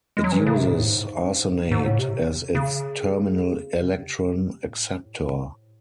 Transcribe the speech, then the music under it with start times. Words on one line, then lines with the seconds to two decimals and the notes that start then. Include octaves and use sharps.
It uses arsenate as its terminal electron acceptor.
0.17 G#3
0.24 F#3
0.32 E3
0.39 D#3
0.47 C#3
0.57 C3
0.67 G#2
0.77 A2
0.89 G#2
1.71 G#2
1.86 A2
1.99 C3
2.55 C#3
3.80 C3
4.63 A2
4.84 G#2
5.05 A2
5.15 C3
5.25 A2
5.35 G#2
5.46 A2